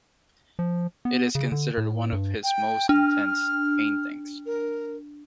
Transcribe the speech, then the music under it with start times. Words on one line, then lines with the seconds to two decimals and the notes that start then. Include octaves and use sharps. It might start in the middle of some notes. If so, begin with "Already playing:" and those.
It is considered one of his most intense paintings.
0.59 F3
1.05 B3
1.35 C#3
1.52 D3
1.78 A2
2.13 G2
2.43 G5
2.89 D4 F6
4.46 A#4